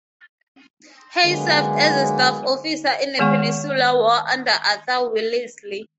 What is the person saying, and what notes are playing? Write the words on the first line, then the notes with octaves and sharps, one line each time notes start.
Hay served as a staff officer in the Peninsular War under Arthur Wellesley.
D3 F#3 G#3 A#3 B3
D#3 G#3 B3 G#4 F#5 C#6